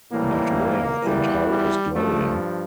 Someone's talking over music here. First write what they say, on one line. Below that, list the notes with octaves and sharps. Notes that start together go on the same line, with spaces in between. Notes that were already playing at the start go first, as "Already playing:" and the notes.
But where and how is Gloria?
A2 E3 G3 A#3
E2 E3 G3
G3
G2 F3 A3